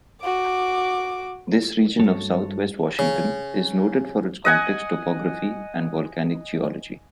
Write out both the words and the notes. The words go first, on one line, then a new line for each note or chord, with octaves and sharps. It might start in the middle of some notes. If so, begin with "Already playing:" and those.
This region of Southwest Washington is noted for its complex topography and volcanic geology.
F#4 D6
G2 F#4 A4 C#5 A5
C#3
D#5 F#5 G#5